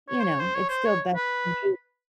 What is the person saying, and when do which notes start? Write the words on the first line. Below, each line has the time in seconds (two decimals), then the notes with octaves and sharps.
you know, it's still best that you
0.09 C#5
0.20 C5
0.24 C#5
0.40 C5
0.55 C#5
0.69 C5
0.85 C#5
1.16 B4